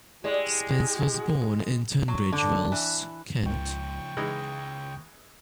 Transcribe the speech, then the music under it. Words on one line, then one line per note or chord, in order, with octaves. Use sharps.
Spence was born in Tunbridge Wells, Kent.
G#3 E4 G4 G#4 D5
F#3
D3
E3
C#2 C#3 F3 G5 C#6
C#2 E3 G#3 D#4 G#4